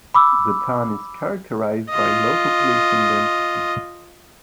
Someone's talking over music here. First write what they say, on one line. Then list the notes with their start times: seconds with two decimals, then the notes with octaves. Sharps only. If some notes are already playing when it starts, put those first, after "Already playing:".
The town is characterised by low population density.
0.14 B5 D6 E6
1.90 F4 D#5